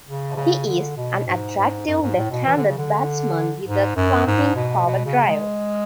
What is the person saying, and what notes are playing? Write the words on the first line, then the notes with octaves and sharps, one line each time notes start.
He is "an attractive left-handed batsman with a clumping cover-drive".
C#3
C#3
D3
B2
G#2
G#2
F#2
G#2
A2
B2
E3
D3
C#3
D3
G#2
F#2
G#2
B2
B2
C#3
G#3